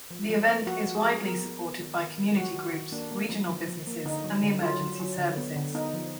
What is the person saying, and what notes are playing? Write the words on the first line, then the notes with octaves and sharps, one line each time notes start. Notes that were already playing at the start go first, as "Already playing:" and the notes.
The event is widely supported by community groups, regional businesses and the emergency services.
F3
F3
A#3
F3 F#4
F3
G#4
F3
B3 A#4
B3
B3
D#3
D#3
D#3
F#3 F#4
D#3
D#3
A#3 D4
A#3
F3
F3
F3
A#3
D3 D#4
F#3
D3
F#3 F4
F#3
F#3
D3
B3
D3
B3 D#4
F3